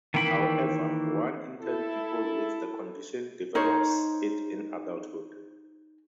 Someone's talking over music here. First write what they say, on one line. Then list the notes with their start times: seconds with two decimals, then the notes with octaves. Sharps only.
However, one in ten people with the condition develops it in adulthood.
0.14 D#3 E3 A#3 G5 B5
1.61 E4 A4
3.55 D#4 A#4 C5 C#5